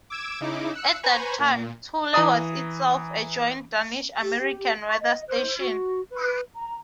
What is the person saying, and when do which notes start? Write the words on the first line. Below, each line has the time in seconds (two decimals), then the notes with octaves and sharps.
At that time, Thule was itself a joint Danish-American weather station.
0.10 D6 E6 G#6 D7 E7
0.40 C#3 D#4 E4 D6
0.74 E6 F#6 C#7
1.03 B4 C5 G#5 A#5 B5 C#6
1.39 A#2
2.14 E3 A#5 D#6
4.20 G4
4.86 C#6
5.01 D#5
5.28 C5
5.58 F#4
6.10 B4
6.54 A#5